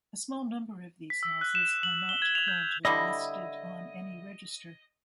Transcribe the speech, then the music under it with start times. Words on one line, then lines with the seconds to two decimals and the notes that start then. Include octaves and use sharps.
A small number of these houses are not currently listed on any register.
1.10 B6
1.23 E6
1.41 F#6
1.55 E7
1.83 F#7
2.09 G7
2.22 G#6
2.35 F7
2.48 G6
2.85 D3 G3 E4 D#5